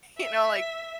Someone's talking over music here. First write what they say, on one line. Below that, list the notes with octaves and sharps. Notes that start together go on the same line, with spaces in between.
you know, like,
E5